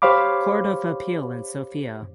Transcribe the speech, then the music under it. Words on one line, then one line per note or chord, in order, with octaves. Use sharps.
Court of Appeal in Sofia.
G4 C5 C#5 F5 B5 D6